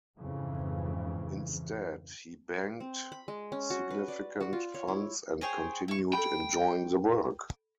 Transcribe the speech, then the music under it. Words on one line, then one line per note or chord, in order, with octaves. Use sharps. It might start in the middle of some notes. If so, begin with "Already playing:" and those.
Instead, he banked significant funds and continued enjoying the work.
F2 G#2 C#3 E3
C4
B5
G#3
C#4
F#4
B4
D5
F#4
F4
C#5
E4
G#4 C5 C#5 G5
E4 C#6
A4 G5 B5